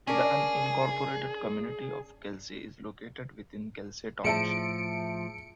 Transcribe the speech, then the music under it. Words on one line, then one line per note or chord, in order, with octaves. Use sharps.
The unincorporated community of Kelsey is located within Kelsey Township.
C#4 D4 G#4 A#4
A2 F3 G#4 E5 A5 C#7 D7